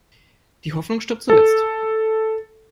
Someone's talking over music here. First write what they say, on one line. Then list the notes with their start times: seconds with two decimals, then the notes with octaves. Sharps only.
Die Hoffnung stirbt zuletzt.
1.30 A4